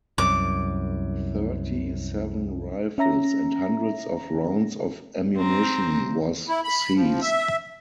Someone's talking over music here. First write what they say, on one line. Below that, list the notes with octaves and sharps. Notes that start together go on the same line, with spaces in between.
Thirty-seven rifles, and hundreds of rounds of ammunition was seized.
C2 F#2 D6
C#4 E5 A#5 A#6
C4 C5 A#5
E4
B5
F3
E5